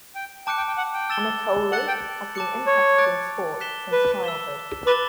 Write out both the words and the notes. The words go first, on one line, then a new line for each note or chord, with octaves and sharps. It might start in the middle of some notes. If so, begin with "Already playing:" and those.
Anatoliy has been interested in sports since childhood.
G5
G5 A5 D6 F#6 C#7
G5
G5
F#5
G5
E6 A6 E7 G7
F#5 F#6 A6 C#7 F#7
G5
A5 D6 F#6 C#7
C#5
D6 F#6 A6 D7
F#6 B6 E7 G7
B4
E6 B6 E7 G7
B4 B5 D6 A6 E7 G7